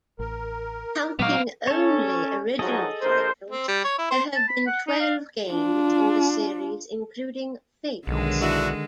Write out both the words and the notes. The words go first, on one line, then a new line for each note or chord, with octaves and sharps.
Counting only original titles, there have been twelve games in the series including "Fates".
A1 A#4
A#2 F#3 G#3 B3 D#4 F#4 F5 D6
C#4 A4 C#5
G#2 F3 F#3 G#4 A4 D#5
A#1 A#4 C5
C4
G3
C#5
E4
C5
A5
B5
F#5
D#4
F5
D4 F4
B1 D3 D#3 G#3
D4 E4 F#4